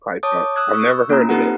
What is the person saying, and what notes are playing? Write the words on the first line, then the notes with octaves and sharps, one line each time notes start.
Python. I've never heard of that.
C#5 A5 D6 D#6
D#6 E6 F#6 G#6
C#6 E6
A#3 C#4 D4 F4 A#5
C4 D#4 G4 A4 B4 F#5